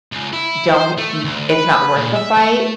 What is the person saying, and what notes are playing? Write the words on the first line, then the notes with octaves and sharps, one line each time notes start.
don't, n it's not worth the fight,
C#2
E4
C5
A3
D2
B4
A#2
E5
A3